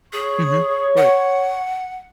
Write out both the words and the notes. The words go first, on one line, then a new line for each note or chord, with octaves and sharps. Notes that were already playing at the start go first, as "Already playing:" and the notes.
Mhm. Right.
G#4 C#5 C#6
F#5